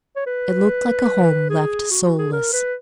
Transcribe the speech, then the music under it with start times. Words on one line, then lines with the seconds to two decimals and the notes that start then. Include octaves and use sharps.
It looked like a home left soulless.
0.16 C#5
0.26 B4
1.50 G#4
1.91 F#4
2.04 F#4
2.19 G#4
2.33 A#4
2.53 B4